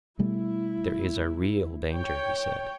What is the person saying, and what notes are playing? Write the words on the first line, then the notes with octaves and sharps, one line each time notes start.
There is a real danger, he said.
B2 G3 A3 E4
C#5 G5